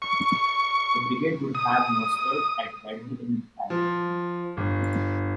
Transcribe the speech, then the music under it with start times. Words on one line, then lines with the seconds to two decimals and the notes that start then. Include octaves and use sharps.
The brigade would have mustered at Redhill in time of war.
0.02 C#6
1.55 D#6
3.70 F3
4.57 G1